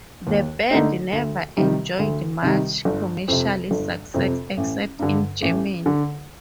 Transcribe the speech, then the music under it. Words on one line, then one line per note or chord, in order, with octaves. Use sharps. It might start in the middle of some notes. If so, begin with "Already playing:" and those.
The band never enjoyed much commercial success, except in Germany.
D#2
D3 A3 D#4
D2
C3 D#3 G3
D2
C3 D#3 G3
G1
F2 C3
G1
F2 C3
A1
G2 D3
A1
D3